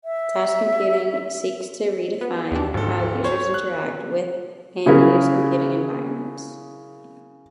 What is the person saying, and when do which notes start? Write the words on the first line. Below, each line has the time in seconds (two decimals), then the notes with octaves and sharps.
Task computing seeks to redefine how users interact with and use computing environments.
0.04 E5
2.21 B3
2.52 D#2 D4
2.74 D1 G#2 A4
3.24 C5 C#5
3.54 F#6
4.86 C#3 F#3 E4 G#4 A#4